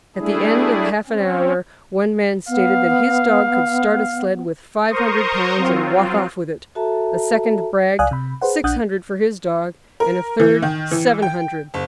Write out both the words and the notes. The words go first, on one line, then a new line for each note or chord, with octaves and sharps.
At the end of half an hour one man stated that his dog could start a sled with five hundred pounds and walk off with it; a second bragged six hundred for his dog; and a third, seven hundred.
G3 A3 D4 E4 G#4
C4 C#4
B3 F5
A#4 C5 A#5 C6 C#6 D#6
F#3 C4 F4
F#4 A4 E5 A5 A#5
C#2 D5 F5 G#5 D#6 F#6
C3 B5
G#4 B4 C5 F#5
A#1 D4 F#5 D#6 F#6 G6
A#4
E3
D#3
E3
G5
F#1